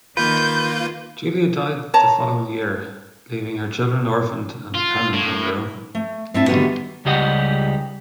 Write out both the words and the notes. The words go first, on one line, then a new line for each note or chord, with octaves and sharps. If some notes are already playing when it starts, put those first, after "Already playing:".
Julia died the following year, leaving her children orphaned and dependent on their uncle.
D#3 A#3 F4 B4 G6
C#5 A5 A#5
F4
A2
A3
A2 C4 D4 E4 E5 A5
D3 D#3 F#3 G3 B3 F#4
C#2 C#3 G3 G4 D#5 F#5